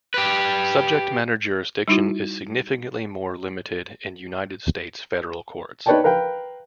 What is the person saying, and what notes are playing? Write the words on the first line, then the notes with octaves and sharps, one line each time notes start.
Subject-matter jurisdiction is significantly more limited in United States federal courts.
G4 B4
G3 D#4 E4 F#4
D#4 B4 C#5 D5 G5 A5
A#4 B4 F5 G5